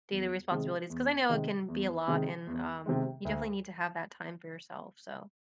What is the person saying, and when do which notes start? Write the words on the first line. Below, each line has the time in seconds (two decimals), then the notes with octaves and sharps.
daily responsibilities. 'Cause I know it can be a lot, and, um, you definitely need to have that time for yourself, so
0.11 E2
0.51 C3 D#3 G#3
0.90 E2
1.30 C3 D#3 G#3
1.68 E2
2.08 C3 D#3 G#3
2.47 E2
2.86 C3 D#3 G#3
3.25 D2